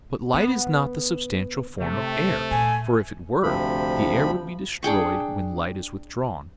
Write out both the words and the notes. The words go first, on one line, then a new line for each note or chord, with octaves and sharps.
But light is not the substantial form of air, for if it were, the air would be destroyed when light is withdrawn.
D3 B3
C3 A3
A#2 G#5
D2 C3 F3 B5
D4 G#4 G5 C#6